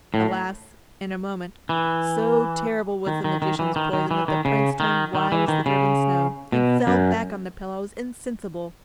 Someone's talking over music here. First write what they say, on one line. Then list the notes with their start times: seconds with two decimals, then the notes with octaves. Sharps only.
Alas, in a moment, so terrible was the magician's poison that the Prince turned white as the driven snow, and fell back on the pillows insensible.
0.14 A2
1.69 E3
3.07 D#3
3.24 D#3
3.42 D#3
3.59 E3
3.76 D#3
3.93 D#3
4.11 E3
4.28 D#3
4.45 C#3
4.80 D#3
5.15 D#3
5.32 E3
5.48 D#3
5.66 C#3
6.52 B2
6.87 F#2